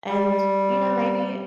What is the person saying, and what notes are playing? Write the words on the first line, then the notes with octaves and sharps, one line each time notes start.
and, you know, maybe
G3